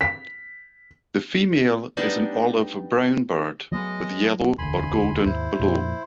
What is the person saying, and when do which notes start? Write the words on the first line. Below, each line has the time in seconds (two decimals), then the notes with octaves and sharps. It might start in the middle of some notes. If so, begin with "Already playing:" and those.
The female is an olive brown bird with yellow or golden below.
0.01 B6
1.97 G3 B3 D4 D#4
3.72 F#3 G#3 A3 B3 D#5
4.58 E1 D2 G#5 B5 C6
5.25 D#2 G#2 E4 C5
5.59 F2 A#2